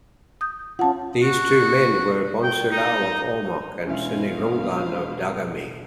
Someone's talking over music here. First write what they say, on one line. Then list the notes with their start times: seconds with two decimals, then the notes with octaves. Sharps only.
These two men were Bonsilao of Ormoc and Sinirungan of Dagami.
0.41 D#6 G6
0.79 C#4 F4 F#5 A5
1.23 F#4
2.43 G5
2.71 D#4
3.86 E1 B2 C#4 E4 C5 F5